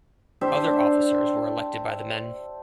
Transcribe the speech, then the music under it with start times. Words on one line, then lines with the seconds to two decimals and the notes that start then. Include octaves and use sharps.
Other officers were elected by the men.
0.41 D4 G4 C5 E5